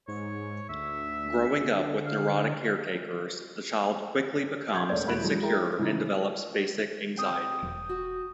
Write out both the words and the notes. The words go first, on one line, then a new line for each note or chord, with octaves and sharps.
Growing up with neurotic caretakers, the child quickly becomes insecure and develops basic anxiety.
G#2 C#5
D2 E5
D3
F5
C6 C#6 G6 G#6
E1 A3 C#5 D5 G#6
D#1 E4 F#4 B5 F#6 D7
E3 F#3 G#3
E4 G#4 A#4 G5 A#5
A2 C#3 E3 F3 D#4
D2 C4 G5 D#6 G6
E1
F#4